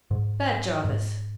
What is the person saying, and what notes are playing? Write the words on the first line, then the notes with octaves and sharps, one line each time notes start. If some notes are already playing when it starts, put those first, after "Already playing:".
Bat Jarvis.
G#2
G#2